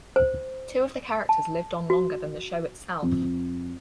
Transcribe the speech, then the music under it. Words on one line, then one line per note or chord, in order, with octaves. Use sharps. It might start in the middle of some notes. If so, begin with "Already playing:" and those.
Two of the characters lived on longer than the show itself.
C5
A5
F#4
F2